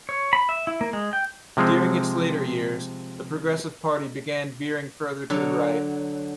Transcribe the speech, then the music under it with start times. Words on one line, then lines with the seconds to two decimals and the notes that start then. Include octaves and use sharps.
During its later years, the Progressive Party began veering further to the right.
0.09 C#5
0.33 B5
0.49 E5
0.67 E4
0.81 A#3
0.93 G#3
1.13 G5
1.57 C3 F3 G#3 C4
5.30 D3 F#3